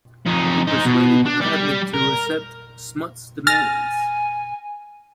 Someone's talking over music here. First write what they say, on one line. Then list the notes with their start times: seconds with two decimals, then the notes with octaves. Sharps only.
He persuaded the cabinet to accept Smuts' demands.
0.26 F2 D#4
0.67 D#4 C5
0.85 B2
1.26 D4
1.41 G3 D5
1.94 A#4
3.47 G#5 F6 A6 A#6